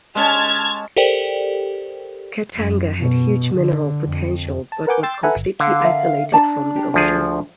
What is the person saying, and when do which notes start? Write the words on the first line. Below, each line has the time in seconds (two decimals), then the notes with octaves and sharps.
Katanga had huge mineral potential but was completely isolated from the ocean.
0.15 G#3 C#4 A5 F6 G#6
0.97 G4 A4 A#4 C5 D5 G5
2.56 F#2
3.00 B2
3.55 D3
4.06 F2
4.72 A5
4.87 A#4 B4 F#5 G#5 D6 G6
5.03 G5 C6 E6 A6
5.23 A4 B4 E5 F#5 G#5 A#5
5.36 G1
5.60 D3 F5
5.80 A#4 E5
6.32 D4 D5 A5 A#5
6.76 G4
6.94 D2 F3 G#4